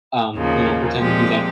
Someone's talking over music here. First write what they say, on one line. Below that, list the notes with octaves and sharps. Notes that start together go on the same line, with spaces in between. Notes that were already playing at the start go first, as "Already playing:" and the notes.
um, you know pretend to be that uh
D#2 C#3 F3 A#3
A#2 F3 G#3 C4 G4